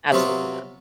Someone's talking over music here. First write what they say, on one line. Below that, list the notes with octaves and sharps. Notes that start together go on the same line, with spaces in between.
Absolutely not.
C3 F#3 B3 C4 F4